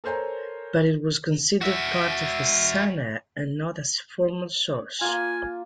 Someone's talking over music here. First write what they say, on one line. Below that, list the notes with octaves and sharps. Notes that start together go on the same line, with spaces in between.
But it was considered part of the "sunnah", and not as formal source.
A4 A#4 C5 C#5 G#5 A#5
F#4 E5
A#3 F4 G#5